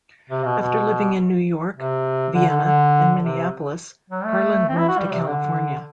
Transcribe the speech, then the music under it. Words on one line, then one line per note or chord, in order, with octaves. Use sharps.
After living in New York, Vienna, and Minneapolis, Harland moved to California.
C3
B2
B2
C3
D3
D3
D3
C3
F#3
A3
C4
E4
F#4
G3
C3
D3